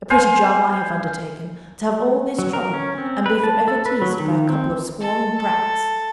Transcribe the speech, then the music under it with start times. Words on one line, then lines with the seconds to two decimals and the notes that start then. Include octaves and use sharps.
A pretty job I have undertaken, to have all this trouble and be for ever teased by a couple of squalling brats!
0.10 C5 F5 G#5
2.39 F#3
2.53 A#4
2.74 C#4
2.98 C4
3.26 B4
3.44 A5
3.68 A4
3.86 B4
4.02 F#3
4.20 D#3
4.49 C4
5.01 A4
5.38 A4